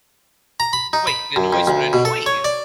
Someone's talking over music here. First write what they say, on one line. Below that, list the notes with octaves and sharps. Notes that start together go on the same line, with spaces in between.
Wait, the noise would annoy you?
A#5
B5
D#4
B5
F#2
F2
D2
B2
A4
C#5
D5